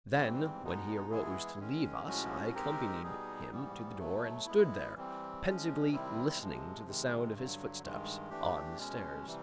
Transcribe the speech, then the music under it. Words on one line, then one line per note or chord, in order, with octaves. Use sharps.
Then, when he arose to leave us, I accompanied him to the door and stood there; pensively listening to the sound of his footsteps on the stairs.
G#2 E3 G3 C4
B2 G#3 B3 D#4
E3 G#3 B3 E4 G#4
D#3 G#3 C#4
A2 F3 G#3 C#4 F#4
G#3 C4 D#4 G4 A#4
B2 G3 B3 D#4 G#4
G#2 E3 G3 B3
B2 F#3 A3
G#3 B3 E4
E3 G3 C4
F3 G#3 C#4
C3 D#3 G3 C4 E4
C3 F3 G#3
C3 D#3 G#3
G2 D3 F#3
G2 D#3 G#3
E3 A3 D4 G4
B2 G#3 C#4
C3 E3 G3